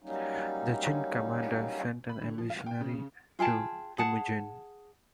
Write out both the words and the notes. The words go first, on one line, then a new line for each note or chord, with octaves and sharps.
The Jin commander sent an emissary to Timujin.
F#3 G3 A#3 C#4 D#4
B5
D3
F3
F5
G5
C#3
C#3
F4 G#4 G5 A5
G#4 F#5 A5